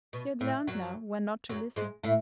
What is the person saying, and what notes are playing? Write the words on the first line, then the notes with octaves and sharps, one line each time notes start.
She had learned now when not to listen.
B2
A2
F#2 F#3
F#2 F#3
G#2 G#3
A2 A3